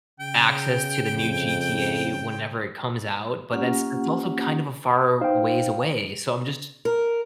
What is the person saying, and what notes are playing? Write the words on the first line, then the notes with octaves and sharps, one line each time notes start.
access to the new GTA whenever it comes out, but that's that's also kind of a far ways away. So I'm just
C#3 G5
F2
A#3 C#4 F4 G4 F#5
D#4 C5 F5 G5
A#4